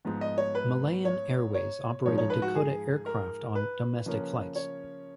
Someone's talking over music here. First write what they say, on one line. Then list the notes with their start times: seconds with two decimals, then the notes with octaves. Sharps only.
Malayan Airways operated Dakota aircraft on domestic flights.
0.05 G#2 F3 B3
0.21 D#5
0.38 C#5
0.55 B4
1.05 C#5
1.55 C#5
2.05 G#2 F3 G#3 D#4 C#5
2.18 C#5
2.30 B4
2.42 F#4
2.55 G#4
3.06 A#4
3.55 B4
4.06 C#3 F3 A#3 C#4
4.55 C#5